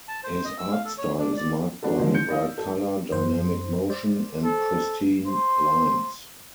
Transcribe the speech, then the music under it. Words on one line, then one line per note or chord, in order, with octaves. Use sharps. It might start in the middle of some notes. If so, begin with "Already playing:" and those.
His art style is marked by bright color, dynamic motion and pristine lines.
A5
C5
D#5
E6
F5
A4
C#5
D4
D5
G3 D4 F#4 A4
D3 F3 G#3
G6 C#7
D5 D#5 F5 D#6
E6
A4
F#2 C5
C5 D5
A4
C5